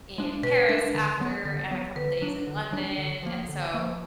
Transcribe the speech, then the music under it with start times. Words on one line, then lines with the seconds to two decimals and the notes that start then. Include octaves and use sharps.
in Paris after, and a couple days in London, and so
0.18 G#3 D4
0.43 B2 B4
0.69 G#3 D4 A#4
0.94 D3
1.20 F#3 B3
1.45 D3
1.71 F#3 B3
1.96 D3 B4
2.21 F#3 D4
2.47 D3
2.72 F#3 D4
2.98 D3
3.23 F3 A#3
3.48 D3
3.74 F3 A#3